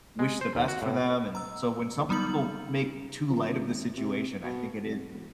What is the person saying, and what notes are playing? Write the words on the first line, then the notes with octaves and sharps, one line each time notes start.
wish the best for them and so, when some people make too light of the situation, I think it is
G#3
C5
D#2
F#4
A2
A#5 E6
F#3 G3 B3 D#4 A#5 F#7
F3
G#1
C3
B2
C3
E1